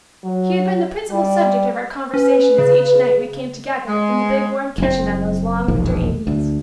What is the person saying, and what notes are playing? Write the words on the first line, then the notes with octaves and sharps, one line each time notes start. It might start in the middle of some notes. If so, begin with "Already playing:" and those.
He had been the principal subject of our conversation as each night we came together in the big warm kitchen on those long winter evenings.
F#3
G3
C#4 B4
C#3
G#3
F#1 C4
E1 A#1 D#2
D2